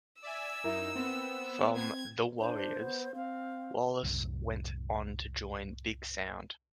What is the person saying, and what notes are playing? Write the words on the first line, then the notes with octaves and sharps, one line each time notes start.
From The Warriors, Wallace went on to join Big Sound.
D5 E5 G#5 E6
F#2 D#4 E4 A#4
B3 C4
G#6
D4 C5
B3
C4 F5
C2 F#2 A2